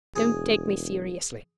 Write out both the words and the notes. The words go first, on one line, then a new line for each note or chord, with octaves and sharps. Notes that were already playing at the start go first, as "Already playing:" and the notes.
Don't take me seriously.
E1 G#4